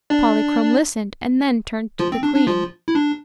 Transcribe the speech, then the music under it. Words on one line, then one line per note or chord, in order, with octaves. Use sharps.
Polychrome listened and then turned to the Queen.
D4 D5
F3 F4
C4
D4
D4
F3 F4
E4
D4